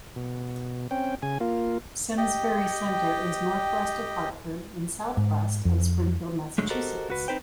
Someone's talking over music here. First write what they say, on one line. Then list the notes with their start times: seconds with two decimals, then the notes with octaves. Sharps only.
Simsbury Center is northwest of Hartford and southwest of Springfield, Massachusetts.
0.16 B2
0.91 C4 C#4 G5
1.22 C#3 G#5
1.41 A#3 F4
2.18 G4 D#5 G5
5.17 G#2
5.65 F2
6.58 G#2 D3 F#3 G#3 A3
6.70 F#4 G4 A4 A#4 C5 D#5
7.09 C#2 F#4 B4
7.28 C4 D#4 B4 C5 G5